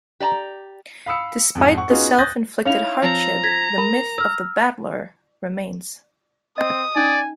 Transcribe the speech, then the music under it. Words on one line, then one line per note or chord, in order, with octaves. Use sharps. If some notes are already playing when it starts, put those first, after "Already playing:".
Despite the self-inflicted hardship, the myth of the "battler" remains.
G4 D5 A5 A#5
F5 B5 D#6 E6 C#7
F2 G#2
F#5 C#6
B3 C#4 D#4 F4 F#4 G#4
D#6 F#6 G6 A6 A#6
C#4 D#4 E4 C#5 F5 F7
F3 C4 A#5
G#6 A#6 B6
A#4 B5
E6 F6
C4 D#5 D#6
C#4 D#4 D5 G#5